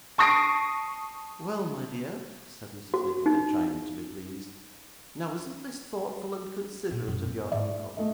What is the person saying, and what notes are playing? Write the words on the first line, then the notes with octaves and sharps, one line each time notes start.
'Well, my dear,' said Mrs Nickleby, trying to be pleased, 'now isn't this thoughtful and considerate of your uncle?
A5 C#6 D#6 A#6 C7 D7
F#4
D#4
A#2
F#2 B2
B3
G#2 D5
A3 D#5